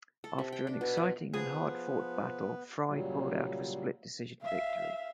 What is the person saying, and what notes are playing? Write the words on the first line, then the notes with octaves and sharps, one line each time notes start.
After an exciting and hard fought battle, Frye pulled out a split decision victory.
A4
C3
G5
D4
B2
F4
F3 B3 G#4
A#2 C#3 F#3 G3
E5 F5